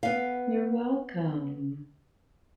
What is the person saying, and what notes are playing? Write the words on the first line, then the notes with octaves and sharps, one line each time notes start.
You're welcome.
B3 F5